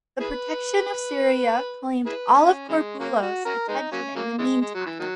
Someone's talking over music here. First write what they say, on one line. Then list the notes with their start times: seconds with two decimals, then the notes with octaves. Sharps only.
The protection of Syria claimed all of Corbulo's attention in the meantime.
0.20 E4 G#4 B4
2.06 E4 G#4 B4
2.37 C#4
2.68 C#3 E3 G#3
2.99 C#3 F#3 A#3
3.22 F#4
3.45 C#4 F#4 A#4
3.68 G#3 B3 D#4
3.92 F#3 A#3 C#4
4.15 C#3 F#3 A#3
4.38 C#3 E3 G#3
4.61 G#3
4.74 F#3
4.86 E3
5.00 D#3 F#3